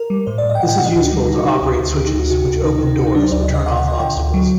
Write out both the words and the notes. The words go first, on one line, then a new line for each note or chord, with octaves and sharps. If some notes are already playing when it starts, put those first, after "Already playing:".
This is useful to operate switches which open doors or turn off obstacles.
Already playing: A#4
G3
A2 C5
D5
A2
D#5
G5
A2 F#5
G5
A2 F#5
D#5
D2 F#4
D4
D#4
G3
D3 D#4
F#4
D3 D#4
G4
D2
D2
D3 G4
D#4
D2
F#4
C3 F#4
D2
D2 D#4
D#4
C3
D#4
D2 F#4
D#4
F#3 D4
C5
D2 D5
D#5
C3
D#5
D2 F#5
F#5
D3
D#5
D3 G5
D2
F#3